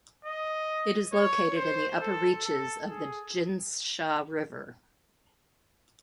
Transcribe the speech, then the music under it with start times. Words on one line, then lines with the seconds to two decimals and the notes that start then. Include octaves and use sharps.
It is located in the upper reaches of the Jinsha River.
0.25 D#5
1.13 C#5
1.56 C5
2.01 A4
2.45 A4
2.88 G#4